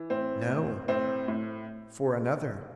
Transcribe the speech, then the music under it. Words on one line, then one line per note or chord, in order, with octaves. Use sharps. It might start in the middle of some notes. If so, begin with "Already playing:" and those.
"No; for another."
Already playing: E3
A2 C4
A2
A2 C4
A2